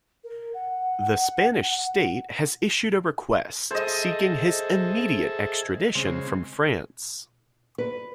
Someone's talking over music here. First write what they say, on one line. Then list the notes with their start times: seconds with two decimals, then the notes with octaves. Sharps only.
The Spanish State has issued a request seeking his immediate extradition from France.
0.24 A#4
0.54 F#5
3.71 G#4 A4 C5 D#5 E5
5.95 C#3 G#3 C4
7.78 B4